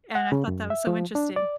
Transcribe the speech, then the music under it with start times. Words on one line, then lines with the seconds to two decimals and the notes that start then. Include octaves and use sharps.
and I thought that was so interesting.
0.15 F#5
0.32 C#3
0.48 F#2
0.70 E5
0.87 F3
1.15 D4
1.36 D5